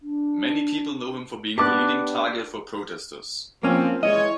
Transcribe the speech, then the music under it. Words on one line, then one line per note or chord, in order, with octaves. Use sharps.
Many people know him for being the leading target for protesters.
D4
B3 D4 G4 A5 D6 F#6
F3 A#3 C4 C#4
E3 G#3 C#5 D#5